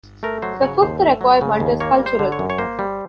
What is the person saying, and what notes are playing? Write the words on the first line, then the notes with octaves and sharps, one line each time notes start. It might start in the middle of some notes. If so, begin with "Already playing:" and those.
The fifth requirement is cultural.
A3 A#4
F#3 C5
C#3 C#5
D#2 C5
A3
F#3
C#3
D#2
A#3 C#5
G3
C5
D3
C#5
F#2
C#5
A#3 C5
G3